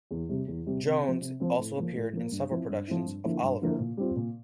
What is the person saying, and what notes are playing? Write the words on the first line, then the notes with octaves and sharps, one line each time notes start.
Jones also appeared in several productions of Oliver!
E2
C3 G3
E2
C3 G3
C3
C4
F3
C3
F3 C4
A2
F3 A#3
A2
F3 A#3
G2
F3 C4 E4
G2
F3 C4 E4
G2
D3 F3 A#3 E4
G2
D3 F3 A#3 E4
A#2
G3 C4 F4
A#2